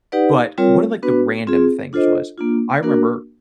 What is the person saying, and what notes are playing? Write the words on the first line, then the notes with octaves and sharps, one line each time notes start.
but one of, like, the random things was I remember
D#4 G4 B4 D5 F#5
G3 C4 F4 A#4 C#5
B3 D4 F#4 B4
C4 F4 G#4
D4 F4 A4 C5 D#5
A#3 D4 F4
A#3 D4 F#4 A#4